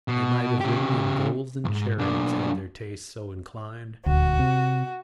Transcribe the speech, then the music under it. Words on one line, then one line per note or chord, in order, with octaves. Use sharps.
They might have ridden in golden chariots had their tastes so inclined.
B2
C#3 G4
E2 G#2
B1 D4
D#1 D2 F#4
C3